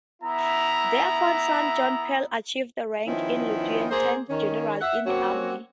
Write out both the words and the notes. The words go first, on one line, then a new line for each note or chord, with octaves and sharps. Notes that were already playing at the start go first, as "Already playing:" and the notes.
Their fourth son, John Peel, achieved the rank of Lieutenant-General in the Army.
B3 E4 E5 A#5
D#3 F3 B3 C#4 E4
A#3 G#4 A#4 C5
D#3 C#4
E5 F#5
F#3 A#3 C4 C#4 F#4 C#5